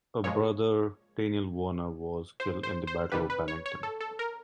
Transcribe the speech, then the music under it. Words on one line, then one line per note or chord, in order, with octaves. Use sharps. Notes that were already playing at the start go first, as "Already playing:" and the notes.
A brother, Daniel Warner, was killed in the Battle of Bennington.
A#2 F3 G#3 C#5
C5
C5
C5
F2 C3 D#3 G3 B4
B4
C#5
C#5
A4
A4
A#4